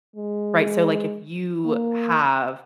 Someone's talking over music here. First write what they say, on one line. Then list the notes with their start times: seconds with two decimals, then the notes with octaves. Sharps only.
Right, so, like, if you have
0.16 G#3
1.65 A#3